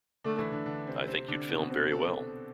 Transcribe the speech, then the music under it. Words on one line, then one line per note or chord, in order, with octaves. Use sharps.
I think you'd film very well.
D3 A3 D4
E3 E4
D3 D4
D3 D4
C3 C4
C3 C4
D3 D4
B2 B3
B2 B3
C3 C4
A4